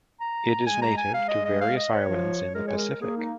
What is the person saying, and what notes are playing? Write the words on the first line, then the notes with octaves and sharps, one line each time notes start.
It is native to various islands in the Pacific.
A#5
G#3 G#5
A#5
G#5
G#3 F5
D#5
D#5
F5
D#5
C#5
F3
G#3 A#4
C#5
A#4
A#3 G#4
D#4